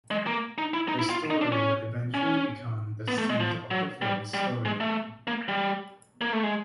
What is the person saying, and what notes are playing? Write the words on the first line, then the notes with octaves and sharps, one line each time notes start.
This story would eventually become the seed of the film’s storyline.
G#3
A#3
D#4
E4
D#4
E4
F4
D#4
D4
C#4
C#4
B3
A3
G#3
F3
F#3
G3
G3
G#3
A3
A#3
G3
A#3
A3
G#3